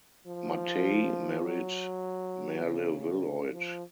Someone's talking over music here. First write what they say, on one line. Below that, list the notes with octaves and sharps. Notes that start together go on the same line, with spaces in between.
Mattei married Merle Wilhoit.
F3
F#3
C#3
F3